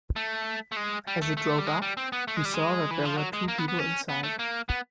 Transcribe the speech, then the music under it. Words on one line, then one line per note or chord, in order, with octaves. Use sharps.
As it drove up, we saw that there were two people inside.
A3
A3
G#3
G3
A3
A3
G3
G#3
G3
C4
B3
A3
G#3
G3
G#3
E3
F3
F#3
G#3
A#3
B3
B3
C#4
B3
A3
A#3
B3